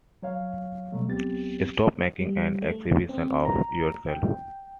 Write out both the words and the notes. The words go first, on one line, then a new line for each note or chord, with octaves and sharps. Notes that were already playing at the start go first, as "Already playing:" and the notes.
Stop making an exhibition of yourself!
F#3 C#5 F5
B2 F#3 G3 A3
C#2 F#3 B3 C4 G4 A6
G3
A3
C4
A#5
G5